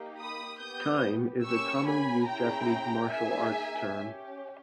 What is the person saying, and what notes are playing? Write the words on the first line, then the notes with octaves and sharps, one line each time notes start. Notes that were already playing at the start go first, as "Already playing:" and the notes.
"Kime" is a commonly used Japanese martial arts term.
Already playing: A#3 D#4 G4
B5 D#6
B3 G4 D#6 G6
A#3 C#4 G4 C#6 E6
G#5 B5
C#4 E4 G#4 G5 A#5
A#3 D#4 G#4 E5 G#5
C#4 G4